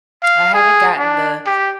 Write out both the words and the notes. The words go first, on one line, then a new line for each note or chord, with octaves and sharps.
I haven't gotten the
F5
G#4
D4
G4